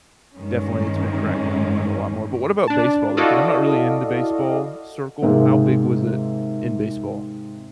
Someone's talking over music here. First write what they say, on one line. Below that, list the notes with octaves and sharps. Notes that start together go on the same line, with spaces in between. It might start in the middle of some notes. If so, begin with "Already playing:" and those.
definitely, it's been cracked down on it a lot more, but what about baseball, though? 'Cause I'm not really in the baseball circle. How big was it in baseball?
G2 D#3 G#3 C#4
D4 A5
E4 F#4 A4 D5 D#5 F5
G#2 C3 G#3 A#3 C4